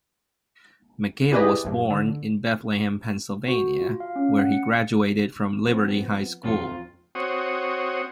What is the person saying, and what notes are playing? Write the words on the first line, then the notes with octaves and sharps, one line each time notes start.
McHale was born in Bethlehem, Pennsylvania, where he graduated from Liberty High School.
E4 G4 G#4 B4 D5 D#5
A#1 G2
D3
F#4
F4
F5
C#4
F#5
C#7
F3 B3 C4
F2 A2 F#3 F4 A4
C4 F#4 C#5 D#6